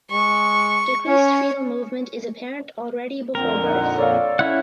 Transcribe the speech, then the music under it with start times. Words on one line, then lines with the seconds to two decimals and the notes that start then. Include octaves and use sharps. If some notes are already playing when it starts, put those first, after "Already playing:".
Decreased foetal movement is apparent already before birth.
0.11 G#3 C#6
1.07 C#4 C#5
3.35 F2 A#2 D3 C4 A#4
3.64 D#4 F#5
3.98 F4 A4 C#5 D5 F5
4.39 C#4 E4 F#5